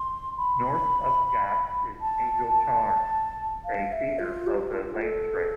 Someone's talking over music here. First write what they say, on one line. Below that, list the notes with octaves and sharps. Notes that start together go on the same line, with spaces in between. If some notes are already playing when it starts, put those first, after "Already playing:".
North of the gap is Angle Tarn, a feeder of the Langstrath.
Already playing: C6
B5
A5
F5
E5
F4
G4
F4
A4